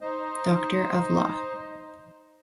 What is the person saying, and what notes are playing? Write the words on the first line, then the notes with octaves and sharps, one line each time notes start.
Doctor of Law.
D#4 C5 D#5